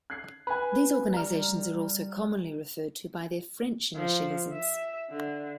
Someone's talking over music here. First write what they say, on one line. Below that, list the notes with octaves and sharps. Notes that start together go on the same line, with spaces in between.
These organizations are also commonly referred to by their French initialisms.
F#6 G#6 C7
B4 G#5 B5
G3 A#5 F6
F3
E5
D3